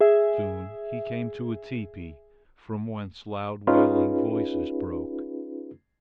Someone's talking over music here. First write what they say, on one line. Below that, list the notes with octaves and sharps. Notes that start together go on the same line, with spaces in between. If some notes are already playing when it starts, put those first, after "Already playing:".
Soon he came to a teepee from whence loud wailing voices broke.
G#4 E5
C#4 D#4 F4 G#4 B4